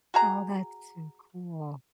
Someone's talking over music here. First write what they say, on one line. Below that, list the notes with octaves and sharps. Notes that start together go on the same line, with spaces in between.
Oh, that's so cool.
F#4 G#4 A#5